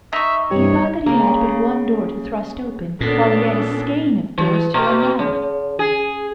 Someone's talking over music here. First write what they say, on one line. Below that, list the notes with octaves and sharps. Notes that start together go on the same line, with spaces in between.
He thought that he had but one door to thrust open, while he had a skein of doors to unravel.
D#4 E5 C#6
G2 C3 E3 G3 G4 C#5
C#3 A#3
A#2 B3 C#4 D4 A4
E3
B2
C#3
G#4